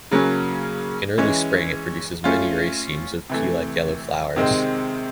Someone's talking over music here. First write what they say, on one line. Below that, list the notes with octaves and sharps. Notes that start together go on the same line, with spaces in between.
In early spring it produces many racemes of pea-like yellow flowers.
C#3 F#3 A#3 C#4
E3 G#3 C#4
A3 C#4 F4
C3 E3 A3
C3 D#3 G#3 C4